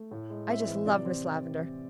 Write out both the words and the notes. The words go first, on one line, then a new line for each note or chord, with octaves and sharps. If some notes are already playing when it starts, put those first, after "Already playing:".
I just love Miss Lavendar.
Already playing: A3
A2
G#3
C4 E5
E3
C3 D5
C4